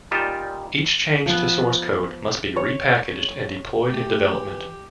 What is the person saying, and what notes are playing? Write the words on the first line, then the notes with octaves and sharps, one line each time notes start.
Each change to source code must be repackaged and deployed in development.
A#2 G3 D#4 F4 G4 A5
F3 B3
C#5
A3 G4
E3